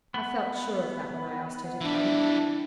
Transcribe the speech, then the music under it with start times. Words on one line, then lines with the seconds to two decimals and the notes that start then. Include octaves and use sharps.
I felt sure of that when I asked her to come.
0.14 B3
1.81 E3 G3 D4 E4